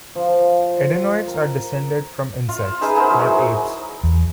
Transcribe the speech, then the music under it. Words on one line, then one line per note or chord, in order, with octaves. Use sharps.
Edenoites are descended from insects, not apes.
F3
A#4
F4
E6
D#4 G#4 B4 E5
B3 G#4 A#4 C5
F#3 E4
D#4
E2